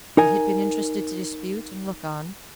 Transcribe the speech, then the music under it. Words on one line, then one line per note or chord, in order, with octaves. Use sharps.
We had been interested to dispute and look on.
D#4 A#4 G#5